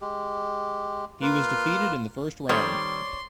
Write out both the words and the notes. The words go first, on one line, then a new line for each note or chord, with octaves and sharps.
He was defeated in the first round.
G#3 G4
A#3 F4 B4
D#3 G3 A3 C4 C#4 C#5 D5 C6